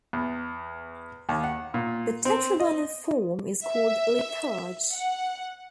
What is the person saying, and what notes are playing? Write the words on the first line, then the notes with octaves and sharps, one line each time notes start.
The tetragonal form is called litharge.
E2
D#2
F#5
A#2
C4
D#5
E5
F#5